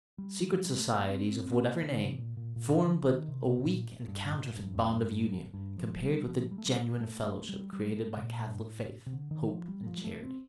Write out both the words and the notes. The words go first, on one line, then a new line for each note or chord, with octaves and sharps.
Secret societies, of whatever name, form but a weak and counterfeit bond of union compared with the genuine fellowship created by Catholic faith, hope and charity.
G3
D#3
F3
G3
A3
A#3
C4
C4
C4
A#3
D3
C3
A#2
A#2
A#2
D3
D#3
F3
D#3
C3
C3
C3
A#2
G2
A2
G2
F2
G2
G2
G2
F3
F3
G3
F3
G3
A3
G3
A3
A3
G3
G3
A3
C3
A#2
G2
A2
C3
D3
D#3
F3
G3
F3
G3
A3
C4